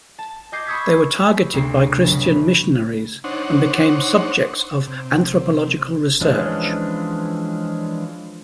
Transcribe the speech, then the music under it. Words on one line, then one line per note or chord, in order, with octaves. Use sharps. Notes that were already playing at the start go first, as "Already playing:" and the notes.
They were targeted by Christian missionaries and became subjects of anthropological research.
A5
D#5 G#5 D6 G6 C7
B5 C#6 D#6 E6 G#6 B6
D2 C3 C4 C7
G1 C#3 F#3 B4
D4 D#4 C5 C#5 F#5
C3
E3 F3 G#3 C#4 D4